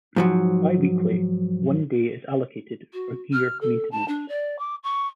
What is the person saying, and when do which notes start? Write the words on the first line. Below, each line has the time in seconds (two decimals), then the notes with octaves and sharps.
Biweekly, one day is allotted for gear maintenance.
0.16 G#2 F3 F#3
2.93 F#4
3.33 F6
3.61 A4
3.92 A5
4.08 D4
4.28 D5
4.59 D6
4.83 C#6